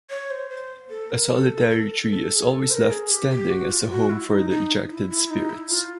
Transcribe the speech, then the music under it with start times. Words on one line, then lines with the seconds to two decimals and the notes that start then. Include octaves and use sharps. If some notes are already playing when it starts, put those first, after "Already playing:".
A solitary tree is always left standing as a home for the ejected spirits.
0.10 C#5
0.30 C5
0.50 C5
0.90 A4
1.10 A#4
1.30 A4
1.70 A#4
1.74 A4
2.10 A4
2.30 A4
2.35 G#4
2.50 A4
2.70 C5
2.74 A#4
2.90 G#4
3.10 G4
3.30 G4
3.50 F#4
3.70 F4
3.90 F#4
4.10 E4
4.30 D#4
4.50 D#4
4.90 E4
5.10 E4
5.30 D#4
5.50 E4
5.70 F4